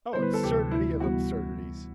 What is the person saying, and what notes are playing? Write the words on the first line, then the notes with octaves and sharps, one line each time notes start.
Oh, absurdity of absurdities!
D3 G3 B3 E4 C5
B4
A4
D2 C3 E3 G4
D2 D3 A3 E4
E3 G3 B3 F#4